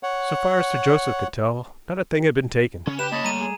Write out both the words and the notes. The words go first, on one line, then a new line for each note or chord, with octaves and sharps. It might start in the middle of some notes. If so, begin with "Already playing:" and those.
So far as Sir Joseph could tell, not a thing had been taken.
C#5 F#5
C#3 C#4
G4 B4 G5 E7
A#3 C#5 D#5 A5 B5
G3 A3 A#5 D#7
G#4